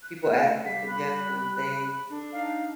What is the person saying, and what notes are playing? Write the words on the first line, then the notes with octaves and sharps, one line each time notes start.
people ask for suggestions, they
F#6
A3 F#5
G3 F5 B6
B5 F#6
D4 A4
D#4 F5